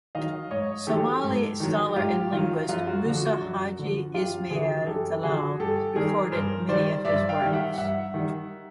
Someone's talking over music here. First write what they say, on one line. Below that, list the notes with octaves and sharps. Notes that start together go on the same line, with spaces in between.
Somali scholar and linguist Musa Haji Ismail Galal recorded many of his works.
D#3 F#3 D#5 F5
G#2 C#5 D#5
D#3 F#3 G4 A4
G#2
D#3 F#3
G#2 F4 G4
D#3 F#3 F4
F#2 F4
F#4
D3 F3 F#4
F#4
F#2
D3 F3
F#2 F4 G4
D3 F3 F#4 G#4
F#2 G4 A4
D3 F3 F#4 G#4
G2 G4 A4
D#3 G3 G#4 A#4
G2 A#4 C5
D#3 G3 C5 D5
G2 D5 E5
F5 G5
D#3 G3
E5 F#5
G2 E5 F#5
D#3 G3